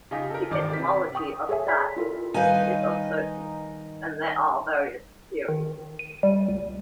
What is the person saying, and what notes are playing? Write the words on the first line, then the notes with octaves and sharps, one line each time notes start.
The etymology of "dap" is uncertain, and there are various theories.
C#3 D#4 F4 G4
A4 A#4
G#1 D#3 D5 D6
C3 B6
G5 C#6 D#6
G#4 A4 C#5 E5 G#5
D5 G5 B5 B6
E4 F4 A4 A#4
D#3 G3 D#4 B4 F5 G#5 G6
D#3
D#7
G3
C#2